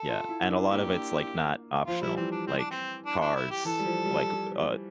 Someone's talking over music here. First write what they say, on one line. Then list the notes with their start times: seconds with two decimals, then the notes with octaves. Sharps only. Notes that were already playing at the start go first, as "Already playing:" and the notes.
Yeah, and a lot of it's, like, not optional, like, cars, like, uh, s
Already playing: A4
0.09 F4
0.29 E4
0.42 E4
0.49 D4
0.69 A#3 G4
1.87 F3 F4
2.02 G3 E4
2.09 F3
2.17 E3 C4
2.32 D4
2.47 C4
2.59 D4
2.71 C4
3.06 D4
3.21 D4
3.36 E4
3.51 G4
3.65 E3 A4
3.79 G3
3.85 F3
4.05 G3